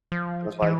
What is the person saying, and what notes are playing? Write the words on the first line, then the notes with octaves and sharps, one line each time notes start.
It was like,
F3
E3